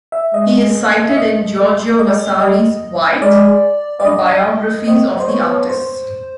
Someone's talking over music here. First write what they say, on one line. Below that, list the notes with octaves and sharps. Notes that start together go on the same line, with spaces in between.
He is cited in Giorgio Vasari's "Vite" or biographies of the artists.
E5
G#3 D#5
E5
D#5
A3
G#3 D#5
G3 D#5
G#3 D5
D5
D4 D#5
C4 D#5
C5
B3 C#5
C5